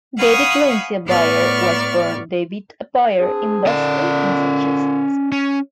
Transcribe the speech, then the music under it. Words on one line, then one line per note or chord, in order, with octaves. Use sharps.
David Lindsay-Abaire was born David Abaire in Boston, Massachusetts.
F5 F#5 G#5 B5 C#6 D#6
A2 B3 D5 C#6 F6
C4 D4 G#4
A#2 D3 C#4 D5
C#4